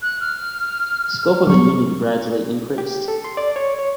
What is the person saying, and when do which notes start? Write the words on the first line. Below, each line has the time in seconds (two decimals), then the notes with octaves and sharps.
The scope of the union gradually increased.
0.02 F#6
0.20 F6
1.47 F#3 G3 C#6
2.78 G4
3.08 A4
3.24 C6
3.37 D5
3.56 C#5
3.79 C#5